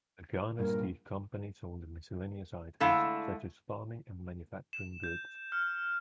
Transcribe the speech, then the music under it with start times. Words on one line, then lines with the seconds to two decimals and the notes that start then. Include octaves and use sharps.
The Garner Stave Company sold miscellaneous items, such as farming and manufacturing goods.
0.59 G2 A#2 A#4
2.80 D3 G#3 A3 E4 F5
4.73 E7
5.04 G6
5.52 F6